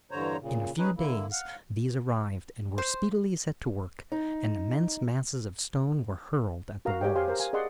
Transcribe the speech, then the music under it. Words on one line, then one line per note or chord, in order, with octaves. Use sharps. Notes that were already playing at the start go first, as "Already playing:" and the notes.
In a few days these arrived and were speedily set to work, and immense masses of stone were hurled at the walls.
E2 G2 D3 C5 C#5 A#5
A#2 C#3
C#4 D#4 G#4 B4
D3 A#3 E4
F5 F#5
C5
D#4
F#4 A#4 F5 A#5
G4 C#5 G5
G4 C5 F5 G#5 C6
A#4 C5
F5 G#5
G#4 D5 D#5 F#5 C6